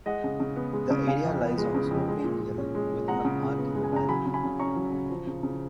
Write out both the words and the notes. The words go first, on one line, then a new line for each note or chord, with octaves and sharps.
The area lies on a sloping hill with a park in the valley.
G#3 D#5 F#5
C#3
C#3
B3
G#3
C#3
C#3 F5 G#5
F2
B3
G#3
C#3
F2
G#3
A#2
A#2
C#4
G#3
A#2
G#3 F#5 A#5
C#3
C#3
B3
G#3
G#5
C#3 A#5
F#3 G#5 B5
C#3
G#5 B5
C#3
C#4 A#5 C#6
F#3
C#3
F3
C#3
C#3